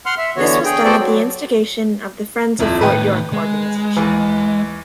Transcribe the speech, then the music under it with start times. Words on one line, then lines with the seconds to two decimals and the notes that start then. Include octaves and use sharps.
This was done at the instigation of the "Friends of Fort York" organization.
0.06 F#5 C6 F6
0.18 E5
0.37 D3 E3 B3 F#4 C#5
0.65 G#4 G5
0.84 B3 F#4 A4 C5 D5 G5
0.98 F#3
2.60 D#1 F2 E4
2.81 A2 D#3 B4 G5
3.33 G#3
3.97 D#2 E3